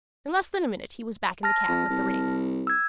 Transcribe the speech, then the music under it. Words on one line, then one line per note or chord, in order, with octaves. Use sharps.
In less than a minute he was back in the cab with the ring.
A5 F6 A#6
F2
C2
E6 G#6